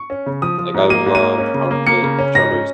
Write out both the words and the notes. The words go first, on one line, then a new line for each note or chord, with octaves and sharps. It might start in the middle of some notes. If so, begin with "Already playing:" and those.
Like, I love chocolate strawberries.
Already playing: C#6
C#4
C#3
F3 D#6
F3
G#2
A#3 D#7
G#2
D#7
A#3
C#4
C#3
A#3
A#3 C#7
C#3
C#4
G#2 A#6
C#4